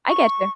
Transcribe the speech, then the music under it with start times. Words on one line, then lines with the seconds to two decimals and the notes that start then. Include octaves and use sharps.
I getcha.
0.09 C#6